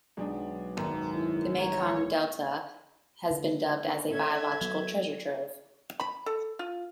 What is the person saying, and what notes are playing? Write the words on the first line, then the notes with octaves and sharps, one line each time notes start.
The Mekong Delta has been dubbed as a "biological treasure trove".
B1 G#3 D4
G#1 F#2 A#5
E4
C#5 A#5
D3
C#4 A4 E5 G#6
F#3 B3
B5
A4
F4